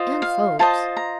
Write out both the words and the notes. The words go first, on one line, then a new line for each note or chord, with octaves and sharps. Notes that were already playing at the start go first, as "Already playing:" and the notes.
And folks.
Already playing: F4 C5 D#5
F5
F4 C5 D#5 A5
A#5